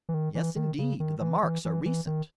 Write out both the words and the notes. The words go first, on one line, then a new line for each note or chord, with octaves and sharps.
"Yes, indeed, the marks are recent."
E3
D#3
E3
D#3
C#3
D#3
E3
E3
E3
E3
D#3